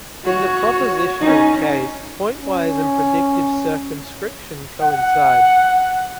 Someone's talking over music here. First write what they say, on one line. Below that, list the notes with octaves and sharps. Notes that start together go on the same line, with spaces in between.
In the propositional case, pointwise and predicate circumscription coincide.
F#4 C#5
C#4 D#4
C#4
F#5